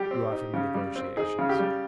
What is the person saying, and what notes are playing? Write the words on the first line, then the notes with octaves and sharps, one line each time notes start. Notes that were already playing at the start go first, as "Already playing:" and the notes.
You offer me negotiations!
Already playing: G3 G4
C4
D#4
C#3
G3
C4
D#4 G#4
C#3
G4
G3